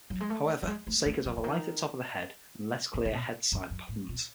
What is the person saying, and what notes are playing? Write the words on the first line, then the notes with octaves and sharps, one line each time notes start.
However, sakers have a lighter top of the head and less clear head-side patterns.
F#3
G#3
A3
F#3
G#3
A3
A3
F#3
C#3
D#3
C#3
C#3
B2
F#2
F#2
A2
B2